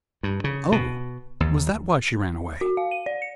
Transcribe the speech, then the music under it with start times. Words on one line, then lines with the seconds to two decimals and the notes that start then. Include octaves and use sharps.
"Oh! Was that why she ran away?"
0.23 G2
0.44 C#3
0.72 B2
1.40 D#2
2.61 F#4
2.77 F5
2.91 D#7
3.06 D5
3.22 C#7